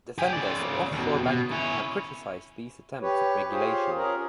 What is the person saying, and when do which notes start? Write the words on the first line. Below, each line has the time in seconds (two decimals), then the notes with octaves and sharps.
Defenders of offshore banking have criticized these attempts at regulation.
0.18 G4 G#5
0.33 C#3 D5
0.92 D#2 B2
1.23 B2
1.51 C#4 E4
3.01 G4 B4 C#5
3.50 F4 G4 G#4 C5 C#5
3.95 C#4 G#4 A#4